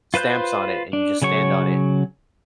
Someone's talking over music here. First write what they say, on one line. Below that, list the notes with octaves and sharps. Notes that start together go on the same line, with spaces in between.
stamps on it, and you just stand on it,
F4 B4 C5 F#6 G6
D4
C#3 F#3 C#5 C#6